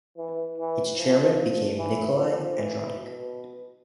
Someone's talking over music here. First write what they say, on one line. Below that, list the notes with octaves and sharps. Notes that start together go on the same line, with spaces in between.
Its chairman became Nicolae Andronic.
E3
E3
F3
E3
F3
E3
B2